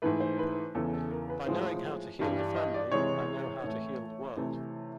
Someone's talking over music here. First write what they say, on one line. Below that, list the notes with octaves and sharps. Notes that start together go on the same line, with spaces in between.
By knowing how to heal the family, I know how to heal the world.
G#2 E3 A3 B4
C5
B4
E2 C#3 E3 A4
A4
A#4
B4
A2 F3 G#3 C5
G2 E3 G3
D5
D#5
D5
C3 E3 G#3 C#5
A2 E3 A3
C3 E3 A3